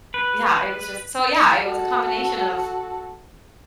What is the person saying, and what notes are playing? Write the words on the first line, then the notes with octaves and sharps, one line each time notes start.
yeah, it was just so yeah, it was a combination of
B4
F#4 A4